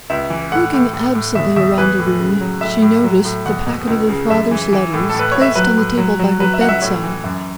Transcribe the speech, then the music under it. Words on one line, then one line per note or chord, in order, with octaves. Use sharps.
Looking absently round the room, she noticed the packet of her father's letters placed on the table by her bedside.
C#2 E5
E3
A2 F#5
A2
A2
A2
E2 E5
E2 E5
E3 B4
A2
C#3
F#3
A2 E5
A2
F#3
A2
E2 F#5
B2
C#2
C#3
F#2 E5
E3
E3
A2
A4
A2 B4
A2 C#5
E5
F#3 B4
A2
F#3
F#3
F#3 B4
E5
C#2 F#5
E5
A2 C#5
E3
F#2